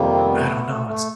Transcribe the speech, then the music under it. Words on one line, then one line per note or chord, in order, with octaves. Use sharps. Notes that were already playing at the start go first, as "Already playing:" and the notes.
I don't know. It's
Already playing: F2 C3 D#3 G3 A#3
C4
A3 B3
A3
A3